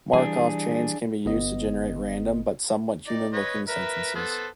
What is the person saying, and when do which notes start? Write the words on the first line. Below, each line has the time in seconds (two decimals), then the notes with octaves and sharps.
Markov chains can be used to generate random but somewhat human-looking sentences.
0.13 E3 G3 D4 G#4
1.25 G1 B3 D#5
3.07 D#4 D5
3.33 B4 C#5 D#5
3.68 A#4 B4 E5
4.15 B3 A4 C5